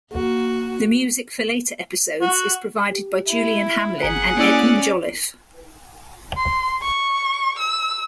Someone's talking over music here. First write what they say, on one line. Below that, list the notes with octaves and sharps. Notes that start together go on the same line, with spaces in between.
The music for later episodes is provided by Julian Hamlin and Edmund Jolliffe.
A#3 F#4
F#4
G4
E4
G1 G#4 F#5 A#5 B6
A#3 C#4 E4 D5 E6
C6
C#6
E6